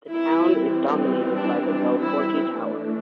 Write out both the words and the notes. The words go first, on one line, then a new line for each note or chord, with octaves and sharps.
The town is dominated by the Belforti tower.
E3 G3 C4 E4
D4
D4
E4
E3 A3 D4